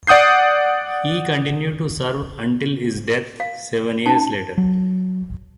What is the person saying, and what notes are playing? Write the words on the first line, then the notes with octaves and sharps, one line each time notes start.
He continued to serve until his death seven years later.
D5 F#5 D#6 G6 C7
F5
C#4 D#4 G5 A5
F#3